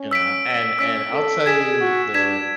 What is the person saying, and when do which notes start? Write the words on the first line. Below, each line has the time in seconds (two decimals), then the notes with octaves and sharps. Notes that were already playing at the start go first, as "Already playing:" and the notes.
you know, and and I'll tell you the
Already playing: C#4
0.11 E6 B6 D7
0.79 C#4 E6 B6 D7
1.13 A4
1.46 G#4 G#6 B6 E7
1.80 F#4
2.14 D4 G#6 B6 E7